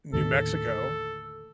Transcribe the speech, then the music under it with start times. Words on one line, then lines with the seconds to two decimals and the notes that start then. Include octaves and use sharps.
New Mexico
0.13 D#2 A2 D3 A4